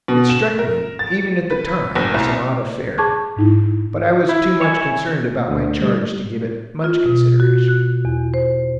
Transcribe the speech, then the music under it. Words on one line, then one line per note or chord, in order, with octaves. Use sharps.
It struck me, even at the time, as an odd affair, but I was too much concerned about my charge to give it much consideration.
B2
E7
A#4
A6
B4
F#1
C2
G#4 A5 C#6 D6 G#6
G#2 D#4 E4
E4
C#5 E5 G#5
D2
G3
F4
B2
F#4
F#6
E2
C5